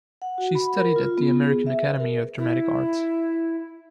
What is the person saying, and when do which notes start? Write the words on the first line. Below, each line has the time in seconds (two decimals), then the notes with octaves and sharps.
She studied at the American Academy of Dramatic Arts.
0.22 F#5
0.38 F#4
0.55 B5
0.76 A#4
0.96 F4
1.18 B3
1.44 G#4
1.67 E5
1.84 B4
2.00 A#4
2.38 E4